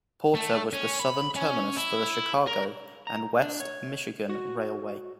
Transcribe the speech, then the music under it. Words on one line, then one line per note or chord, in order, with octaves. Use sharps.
Porter was the southern terminus for the Chicago and West Michigan Railway.
A3
C#4
B5
C#4
E4
A#4
A#5
D4
C#5
F#4